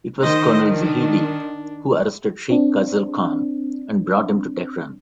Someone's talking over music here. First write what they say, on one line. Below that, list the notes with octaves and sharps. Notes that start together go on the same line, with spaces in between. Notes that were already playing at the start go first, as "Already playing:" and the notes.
It was Colonel Zahedi who arrested Sheikh Khaz'al Khan and brought him to Tehran.
D#3 C5 D#5
D4
C4 D4